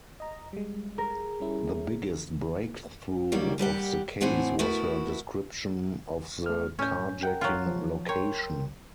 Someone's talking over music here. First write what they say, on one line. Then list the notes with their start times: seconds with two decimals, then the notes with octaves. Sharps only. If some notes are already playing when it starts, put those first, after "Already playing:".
The biggest breakthrough of the case was her description of the carjacking location.
0.20 D#5 A#5
0.53 G3 G#3
0.98 G#4 A#4
1.40 G3 C#4 E4
3.32 D#3 F#3 G3 A#3
3.58 A#2 G3 G4 F#5
4.21 A2 E3 C4 F#5 G#5
4.59 A3 B3 E4 F#4 A#4 B4
6.46 A3 F6
6.79 A2 C#4 G6
7.23 A#4 F#5 G5
7.41 F#3 F4
7.66 F3
8.09 A#4 C#5 G5 C6